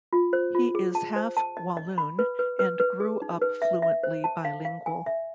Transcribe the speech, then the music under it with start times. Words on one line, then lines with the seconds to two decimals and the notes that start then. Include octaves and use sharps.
He is half-Walloon, and grew up fluently bilingual.
0.13 F4
0.33 C5
0.55 F4
0.75 G#4
0.95 A5
1.16 C5
1.37 A5
1.57 D#5
1.77 D#5
1.98 B5
2.19 B4
2.39 B4
2.59 B4
2.80 B4
3.00 G#4
3.22 D#4
3.42 B4
3.62 E5
3.82 E5
4.03 C5
4.24 A5
4.45 F5
4.65 F5
4.86 G#5
5.06 E5